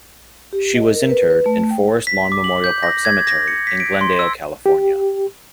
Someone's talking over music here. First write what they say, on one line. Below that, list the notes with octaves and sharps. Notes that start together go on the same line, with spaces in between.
She was interred in Forest Lawn Memorial Park Cemetery in Glendale, California.
G4
D#5
A#4
B4
B4
A3
G5
B6
D6
F#7
G6
A#6
G#6
A#6
C#7
B6
D7
C6
E6
G4